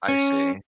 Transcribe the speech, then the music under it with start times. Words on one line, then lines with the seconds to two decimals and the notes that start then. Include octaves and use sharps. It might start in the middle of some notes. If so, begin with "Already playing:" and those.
I see.
0.08 C#4